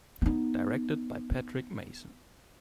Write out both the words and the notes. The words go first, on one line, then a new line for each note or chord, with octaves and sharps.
Directed by Patrick Mason.
B3 D#4